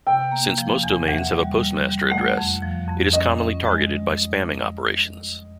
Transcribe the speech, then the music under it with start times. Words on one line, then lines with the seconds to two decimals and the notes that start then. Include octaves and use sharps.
Since most domains have a postmaster address, it is commonly targeted by spamming operations.
0.07 C3 G5
0.32 A#3
0.58 F3
0.83 E2
1.08 E3 F#5
1.34 G3
1.60 G3
1.85 G3
2.10 A3 F#5
2.37 F2
2.62 F3
2.88 F2
3.13 C#4 D#5
3.39 C#4
3.65 G#3